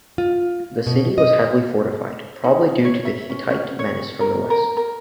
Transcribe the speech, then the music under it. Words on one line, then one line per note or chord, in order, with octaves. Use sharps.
The city was heavily fortified, probably due to the Hittite menace from the west.
F4
B2
D#5
D#4
C#5
E5
C#4
C#4
C#5
A#4
A#4
A#4